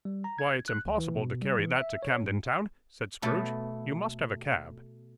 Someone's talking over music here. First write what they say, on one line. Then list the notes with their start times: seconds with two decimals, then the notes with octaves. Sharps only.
'Why, it's impossible to carry that to Camden Town,' said Scrooge. 'You must have a cab.'
0.05 G3
0.24 A#5
0.38 G#6
0.68 F#6
0.86 D2
0.98 E3
1.16 B2
1.42 G3
1.59 E3
1.76 E5
2.03 C#5
2.24 G#2
3.22 B2 A3 A4